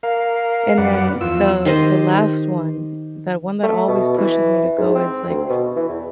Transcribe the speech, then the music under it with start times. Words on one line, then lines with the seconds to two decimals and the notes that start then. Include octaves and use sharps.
and then the the last one, that one that always pushes me to go is, like,
0.03 A#4 F5
0.78 F#2 B4 D5 F#5
1.21 E2 F3 F4 E6
1.65 D#3 G4 C5 D#5
3.63 A3
3.88 B2
4.18 E3
4.78 G#2
4.95 C4
5.29 D2
5.50 B2
5.77 E3
5.89 E2